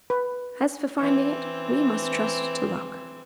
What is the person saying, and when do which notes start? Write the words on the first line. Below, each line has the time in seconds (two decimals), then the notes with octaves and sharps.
"As for finding it, we must trust to luck."
0.10 B4
0.97 E3 C4